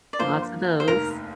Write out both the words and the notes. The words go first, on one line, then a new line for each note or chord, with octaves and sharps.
Lots of those.
D5
G2 F3 A#3 F4 C5
C5
F1 D#2 D#3 A#3 A#4